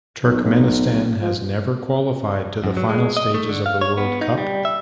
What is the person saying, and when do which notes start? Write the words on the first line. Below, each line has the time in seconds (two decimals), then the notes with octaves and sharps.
Turkmenistan have never qualified to the final stages of the World Cup.
0.24 B1
0.44 B1
1.04 A1
1.22 F3
2.64 F#2
2.77 F#3
2.89 G#3
3.17 D#5
3.34 A3
3.49 D3
3.66 F5
3.81 C#5
3.97 B3
4.21 D#4
4.38 G3
4.65 E5